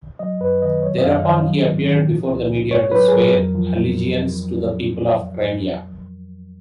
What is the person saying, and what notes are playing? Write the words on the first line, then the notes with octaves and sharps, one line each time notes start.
Thereupon he appeared before the media to swear allegiance to the people of Crimea.
F#3 D#5
F#2 B4
D#3 D#5
F#3 C#5
D#5
F#2 F5
D#3
F#3
G#2
D#3
F3
C#2
C#3
G#2 C#5
F#3 B4
G#4
F#3 A#4
F2
F3